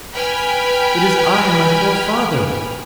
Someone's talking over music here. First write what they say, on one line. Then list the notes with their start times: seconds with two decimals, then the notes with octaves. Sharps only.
"It is I and my poor father."
0.15 B4 G5 G#5 B5 F6